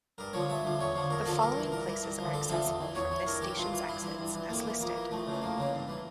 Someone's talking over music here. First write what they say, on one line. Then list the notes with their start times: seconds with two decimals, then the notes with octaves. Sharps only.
The following places are accessible from this station's exits as listed.
0.18 G2 A#4
0.33 D3 F3 C#5
0.49 G2 E5
0.65 D3 F3
0.79 E2 C#5
0.95 D3 F3
1.10 E2 A#4
1.26 D3 F3 A4
1.41 G2 A#4
1.57 E3
1.72 G2 A#4
1.88 E3
2.03 G2
2.18 F3
2.23 D3
2.33 G2 A4
2.50 D3 F3 E5
2.65 E2
2.81 E3
2.95 E2 C#5
3.11 E3
3.26 G2 A#4
3.41 E3 G4
3.57 G2 F4
3.72 E3
3.88 G2 E4
4.04 E3
4.19 G2
4.34 E3
4.49 F2 A#3
4.65 E3
4.81 F2 A#3
4.96 E3
5.11 F2 A3
5.27 C#3 E3
5.42 F2 A#3
5.58 C#3 E3
5.73 G2
5.88 E3